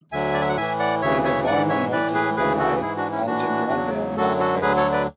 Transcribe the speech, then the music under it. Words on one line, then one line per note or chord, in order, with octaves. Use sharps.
In the Verma module of a Lie algebra there are null vectors.
D2 D3 F#3 E5 G#5
D5
E5
F#5
A2 E3 E5 G#5
D5 F#5
D2 C#3 E3 C#5 E5
C#5 E5
G#2 E3 D5 F#5
C#5 E5
A2 E3 B4 D5
G#4 B4
D2 C#3 E3 G#4 B4
F#4 A4
G#2 E3 E4 G#4
D4 F#4
C#4 E4
A2 E3 D4 F#4
E2 C#3 F#3
F#2 D3 F#3 F#4 A4
F#4 A4
D2 D3 F#3 G#4 B4
A4 C#5
B4 D5